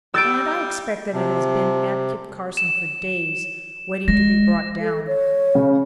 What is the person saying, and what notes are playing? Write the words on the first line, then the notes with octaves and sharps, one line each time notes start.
And I expect that it has been at Kit Carson for days, waiting to be brought down.
G3 E6 A6 D7
C3 F3
E7
G#3 A#6
A4
C#5
C#3